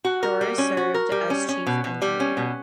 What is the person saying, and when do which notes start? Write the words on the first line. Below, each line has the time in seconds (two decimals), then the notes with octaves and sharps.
Dorris served as chief engineer.
0.05 F#4
0.23 A#4
0.41 G3
0.58 C#4
0.77 F#4
0.94 A#4
1.12 G3
1.30 C#4
1.49 C#4
1.67 B2
1.84 B2
2.02 G3
2.20 C#4
2.37 B2